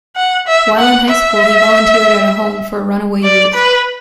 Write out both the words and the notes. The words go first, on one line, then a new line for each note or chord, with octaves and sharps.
While in high school, he volunteered at a home for runaway youth.
F#5
E5
F#5
E5
D5
B4